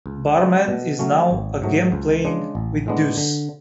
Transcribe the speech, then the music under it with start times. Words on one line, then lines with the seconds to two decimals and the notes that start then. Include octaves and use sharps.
Barman is now again playing with Deus.
0.06 C#2
0.37 C#3 G#3
0.68 B2
0.99 F#3 A3 C#4
1.31 G#1
1.62 G#2 F#3 A3
1.92 C#2
2.24 C#3 G#3 D4
2.55 A1
2.86 A2 G#3 B3 D4
3.17 D3